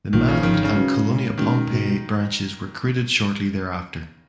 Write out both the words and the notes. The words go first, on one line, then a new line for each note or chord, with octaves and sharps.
The Mand and Kolonia Pohnpei branches were created shortly thereafter.
A#1 A#2 D#3 F#3 A#3 F4
C#3
G#1 G#2 D#3 F3 B3
D#3
C#3
D#3 F#3 C#4 F#4 B4
A#2 G#3 D#4
B2 D#3 G#3 C#4 F#4
B2 G#3 B3 F#4